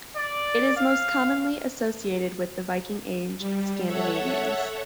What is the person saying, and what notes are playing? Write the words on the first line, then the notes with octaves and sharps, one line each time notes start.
It is most commonly associated with Viking Age Scandinavians.
D5
F5
G3
A4 C#5 E5 F#5